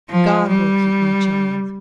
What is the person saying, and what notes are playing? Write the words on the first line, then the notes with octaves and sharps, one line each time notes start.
'God will keep my child.'
F3
G3